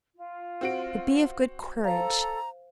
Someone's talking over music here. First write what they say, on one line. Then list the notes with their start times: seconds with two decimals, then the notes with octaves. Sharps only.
But be of good courage.
0.16 F4
0.61 C4 F#4 D7
1.84 A4 C5 F5 A#5